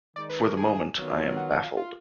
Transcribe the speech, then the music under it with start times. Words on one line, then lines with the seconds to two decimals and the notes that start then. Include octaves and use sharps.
For the moment I am baffled.
0.15 D#3 G#3 D#4 D5
0.29 B4
0.43 A#4
0.57 G#4
0.97 D#3 F#3 B3 F4
1.37 F#4
1.51 F#4
1.64 F4
1.77 F4